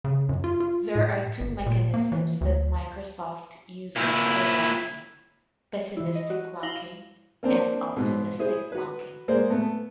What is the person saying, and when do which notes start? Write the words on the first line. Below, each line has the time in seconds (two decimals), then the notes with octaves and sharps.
There are two mechanisms that Microsoft uses for locking: "pessimistic locking", and "optimistic locking".
0.04 C#3
0.29 F#2
0.44 F4
0.60 F4
0.95 A2
1.40 G1
1.66 A#2
1.94 A#3
2.12 E3
2.41 D2
3.96 A#2 E4
5.97 E3 E4
6.15 D#5
6.30 F#4
6.63 E4 F5 A#6 F#7 G7
7.43 A#3 C4 D4
7.96 G#2 B2
8.39 E4 G#4 C5
8.72 F#4 B4
9.28 G#3 A#3 C5 D5
9.50 A3 B3